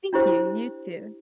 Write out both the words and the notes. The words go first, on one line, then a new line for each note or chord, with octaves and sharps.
Thank you, and you too.
D4 E4 G4 C5